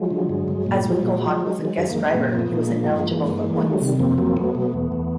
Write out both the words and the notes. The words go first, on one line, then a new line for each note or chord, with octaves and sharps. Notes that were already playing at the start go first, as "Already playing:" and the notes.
As Winkelhock was a guest driver, he was ineligible for points.
Already playing: F3 F#3 G#3
D3
G2
G2
A#2
F3
A#2
F3
F#3 G#3
D#3
F#3 G#3
F#2
G#3 A#3
F#2
A#2 A#3 C4
F3 C4
A3 B3
A#2
G#3 A#3
F3
G2
E3
G2
E3
D#3 G3 A3
F#3
C3 G3
F2 A#3 C4
F#3 A#3 C4
F#3 A3 B3
B2
E2
E2